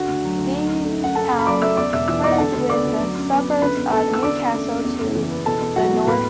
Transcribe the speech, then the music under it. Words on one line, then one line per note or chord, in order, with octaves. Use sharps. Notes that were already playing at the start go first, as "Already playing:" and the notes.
These towns merge with the suburbs of Newcastle to the north.
Already playing: D3 F#4 F#5
D2
F#3
D2
F#3
F#2
A3
F#2 F#5
F#2 A4 A5
F#1
B5
F#3 D5 D6
A3 E5 E6
E2 D5 D6
E1 E5 E6
E3 E5 E6
B3 D5 D6
F#5
D3 A4 A5
D2
B3 D5 D6
D2
F#3
F#2
B3
F#2
D3 B4 B5
E2
B3 A4 A5
E2
E6
D3 D5 D6
F#2
A3
F#2
E2
F#1
E3
B3
B2 A4 A5
E2
F#3 F#4 F#5
E2
A2 B4 B5